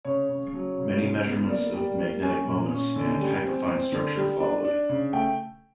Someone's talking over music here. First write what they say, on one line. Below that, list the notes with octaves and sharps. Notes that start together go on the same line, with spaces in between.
Many measurements of magnetic moments and hyperfine structure followed.
C#3 C#5
C#3
F#3
C#3
C#3
B3
A#3 D5
G3
A#3
C#4 G#5
A#2
C#4
D3
G3
C4
C4
D3
G3
D4
D4
C#3
A3 G5